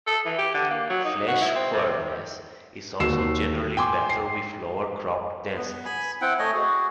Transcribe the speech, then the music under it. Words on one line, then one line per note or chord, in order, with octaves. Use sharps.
Flesh firmness is also generally better with lower crop densities.
A4
E3
G4
D3
A#3
F#3
D#4
F#4
E4
C4
C3
D#2 F#4 E6 C7 E7
G5 G#5 C6 D6
C7
B3
G#5 B5
C4 E4 F#5 G5
A3 C#5 D#5 G#5
F#4 G#4